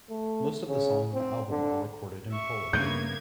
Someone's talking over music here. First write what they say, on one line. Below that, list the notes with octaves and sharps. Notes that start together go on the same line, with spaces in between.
Most of the songs on the album are recorded in Polish.
A3
C#3
C4
D3
E5 C#6
G2 C#3 A#3 B3 G6 G#6